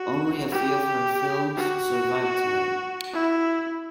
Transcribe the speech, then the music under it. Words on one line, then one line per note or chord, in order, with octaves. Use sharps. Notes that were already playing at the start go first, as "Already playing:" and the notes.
Only a few of her films survive today.
Already playing: F#4
G4
F#4
E4